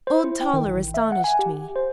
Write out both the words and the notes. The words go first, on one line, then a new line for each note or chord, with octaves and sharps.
Old Toller astonished me.
C5
E4
G5
D#3
A1
E5
F#5
G#5
G4
C5